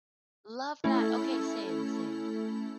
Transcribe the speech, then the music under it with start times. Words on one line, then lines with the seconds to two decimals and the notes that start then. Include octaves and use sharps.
Love that! Okay, same, same.
0.84 A3 C#4 E4 A4